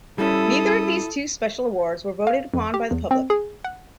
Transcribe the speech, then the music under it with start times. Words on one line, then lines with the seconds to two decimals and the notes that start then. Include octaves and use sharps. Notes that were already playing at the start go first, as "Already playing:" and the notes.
Neither of these two special awards were voted upon by the public.
0.18 G3 C#4 E4 A4 D#6
2.27 F5
2.54 F2
2.74 G4
2.91 E2
3.11 C4
3.30 G#4
3.64 F#5